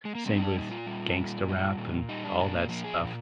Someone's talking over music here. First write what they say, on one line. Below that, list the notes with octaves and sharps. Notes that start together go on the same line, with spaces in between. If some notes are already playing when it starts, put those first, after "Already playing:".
same with gangsta rap and all that stuff.
G#3
A#3
G3 C4
D#4
D4
A#2 D#4
F4
G3
A#2
G3
A#2
G3 D#4
D4
A#2 D4
A#3
F3 A#3
G#4
A#2